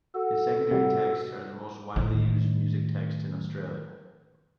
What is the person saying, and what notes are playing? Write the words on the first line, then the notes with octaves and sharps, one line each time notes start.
His secondary texts are the most widely used music texts in Australia.
F#4 A4
C3 G3 F#4
A2 D#3